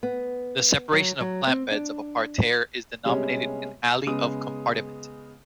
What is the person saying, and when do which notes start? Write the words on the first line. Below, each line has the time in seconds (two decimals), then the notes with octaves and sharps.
The separation of plant beds of a pareterre is denominated an "alley of compartiment".
0.03 B3
0.92 F#3
1.21 F#3
1.47 C4
1.71 D4
3.04 C3 G3 G#3 B3 C#4
4.07 C#3 G#3 B3 D#6